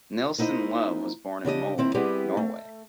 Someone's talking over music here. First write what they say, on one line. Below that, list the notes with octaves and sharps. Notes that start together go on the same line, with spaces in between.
Nilssen-Love was born in Molde, Norway.
A#3 D#4 E4 C5 D#5
C#3 D4 G4 D#5
D#3 C4 E4
G3 B3 C4 E4 G4 G#4
A3